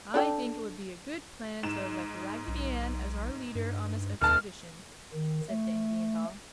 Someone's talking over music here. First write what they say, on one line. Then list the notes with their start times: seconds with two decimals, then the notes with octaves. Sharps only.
"I think it would be a good plan to elect Raggedy Ann as our leader on this expedition!" said the Indian doll.
0.14 D4 A4 G5
1.63 G#2 E7
2.48 B1
3.55 G2
4.22 F1 D#2 A5 F6
5.14 D#3
5.49 A3